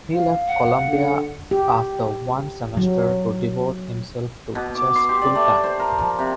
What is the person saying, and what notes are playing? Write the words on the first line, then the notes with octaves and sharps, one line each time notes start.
He left Columbia after one semester to devote himself to chess full-time.
F5
F#5
D3
G4
F#3
B2
D6
C6
G4
D5
A3
C5
A#4
F3
C3